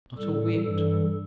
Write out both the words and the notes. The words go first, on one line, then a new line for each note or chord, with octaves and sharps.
"Not a whit."
A2 G3 A4
G2 E3 G3 A4